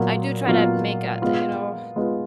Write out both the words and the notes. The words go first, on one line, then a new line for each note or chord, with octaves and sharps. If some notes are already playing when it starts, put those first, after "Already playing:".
I do try to make, uh, you know,
Already playing: A#2 F#3 B3 F4 A#4
A#2 F#3 B3 F4 A#4
G#3 B3 F4 B4
G#3 B3 F4 B4